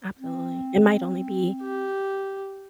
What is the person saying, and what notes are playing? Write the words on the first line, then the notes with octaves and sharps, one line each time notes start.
Absolutely. It might only be
C4
G4